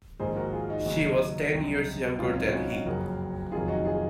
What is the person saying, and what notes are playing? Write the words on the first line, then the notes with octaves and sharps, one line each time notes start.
She was ten years younger than he.
A#1 G#2 D#3 G#4 C5
F#4 A#4
F4 G#4
D#4 F#4
D#2 C#3 F#3 D#4 F#4
C2 C3 F#3
C#2 C3 F#3 C#4 F4
C4 D#4
F#4
C#4 F4
D#4 F#4
F#1 F2 C#3 F#3 F#4 A#4
F1 F2 C3 D#3 F#3 F4 G#4
D#4 F#4
F4 G#4